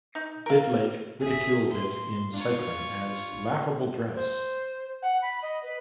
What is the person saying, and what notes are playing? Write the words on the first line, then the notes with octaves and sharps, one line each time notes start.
Bidlake ridiculed it in Cycling as Laughable Dress.
D#4
A#4 F5
F#1 G#4 E5
A2 C6
D4 F4 C#5
A1
C5
F#5
B5
D#5
B4